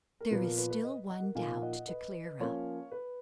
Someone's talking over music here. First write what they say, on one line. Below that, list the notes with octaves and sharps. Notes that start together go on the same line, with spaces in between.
There is still one doubt to clear up.
A#4
A#2 F3 B3 B4
A#4
B4
B4
B4 D#5
D#5 F#5
A#4
A#2 F3 A#3 D#4 F5 G#5
D#5 F#5
B4 D#5
F3 A#3 C#4 C#5 F5
B4